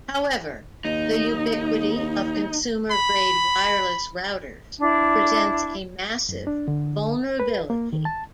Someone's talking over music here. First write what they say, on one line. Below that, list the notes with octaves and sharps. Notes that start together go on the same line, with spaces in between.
However, the ubiquity of consumer grade wireless routers presents a massive vulnerability.
D#2 D#4
B5
D4 E4
F#2
D4
D3
B4
A#3
D#3
A5